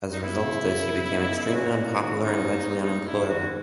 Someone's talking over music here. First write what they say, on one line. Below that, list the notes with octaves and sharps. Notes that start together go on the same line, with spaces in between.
As a result of this, he became extremely unpopular and eventually unemployable.
D#4
B3 E4
C#3
C#3
B3
D#4
B3
E4
C#4 F#4
A#3
D#3
C#4 D#4
A#3
A#3
G#2 D#4
G#2 E4
D#3 F#4